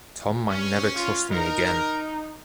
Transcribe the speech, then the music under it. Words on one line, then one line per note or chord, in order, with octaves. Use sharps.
Tom might never trust me again.
C#4
F4
D#4 A#4